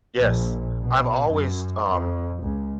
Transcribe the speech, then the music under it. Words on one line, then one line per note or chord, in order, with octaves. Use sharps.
Yes, I've always, um,
A#1
B2
F#2
F2
C#2